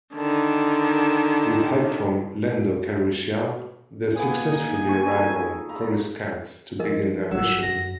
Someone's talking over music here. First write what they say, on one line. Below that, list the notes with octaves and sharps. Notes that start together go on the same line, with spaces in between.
With help from Lando Calrissian, they successfully arrive on Coruscant to begin their mission.
D3 D#3
A#3 B3 G#4 G#5
D#4
G5 C#6
D#4 G#4 A4
F5 A#5 B5
F3 A#4 D#5
G1 F#3 E6
F#2 A#6